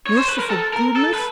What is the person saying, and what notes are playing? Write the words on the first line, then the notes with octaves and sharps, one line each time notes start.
"Merciful goodness!"
C#5
C5
B4
A#4
A4
A#4
A4
B4